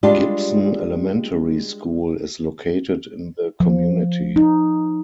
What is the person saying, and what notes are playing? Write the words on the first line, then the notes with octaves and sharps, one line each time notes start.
Gibson Elementary School is located in the community.
G3 G#3 D4 F4 G4
F3
D#4